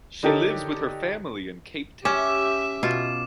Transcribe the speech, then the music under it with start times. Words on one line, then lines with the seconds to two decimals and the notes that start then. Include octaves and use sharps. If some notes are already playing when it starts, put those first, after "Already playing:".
She lives with her family in Cape Town.
0.23 D3 D#4 G4 A4 A#4 C#5
2.05 C#4 G4 E5 D6 E7
2.83 B2 F4